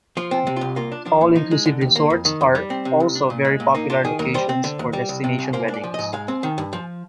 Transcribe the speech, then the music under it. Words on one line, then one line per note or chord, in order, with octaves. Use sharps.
All-inclusive resorts are also very popular locations for destination weddings.
F3 F4
C4
C3
C2 F4
A#3 F4
D4
F3 D4
A#2
F3 D#4
G#3
D3
D#2
A#3
F2
D#3
F2
G3
C4
C3
C2
D4
A#2
G#3
A#2
A#3 D#4
D4 F4
D#3 G#4
D#2 A#4
G3 C5
C4
D3
D#2
G3
C2
C3
C2
A#3 C5
D4
D5
F3
G#2 D#5
G#3 F5
C4
D#3
G2
F3